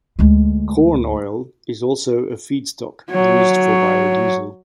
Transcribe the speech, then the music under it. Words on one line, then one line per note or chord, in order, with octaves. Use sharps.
Corn oil is also a feedstock used for biodiesel.
D2 G#3
F#3 C#5